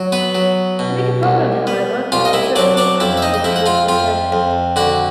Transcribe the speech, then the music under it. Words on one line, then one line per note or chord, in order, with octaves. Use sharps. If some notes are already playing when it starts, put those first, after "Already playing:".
A bigger problem, however, was the local attitude towards the circuit.
Already playing: F#3
B3 B4
F#3
B2
C2
B3
C2 F4 F5
D#5
E4 E5
F#3 D4 D5
D4 D5
F2 E4 E5
E5
D#4 D#5
D#5
F2 E4 E5
F#5
F4 F5
F2 F4 F5
F2
D3 F#4 F#5